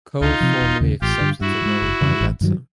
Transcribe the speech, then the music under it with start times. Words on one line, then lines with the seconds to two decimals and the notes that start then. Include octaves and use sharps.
Cole formally accepted the role by letter.
0.21 C#2 D#4 F4
0.40 C3 F3
0.62 E1
0.81 D#2 C#3
1.01 A1 F4 G4
1.21 G2 D3
1.41 G2 E4 F#4
1.61 E3
1.66 G#3
1.82 F#1
2.01 F2 C#3 E3
2.21 A1
2.41 G2 D#3 F#3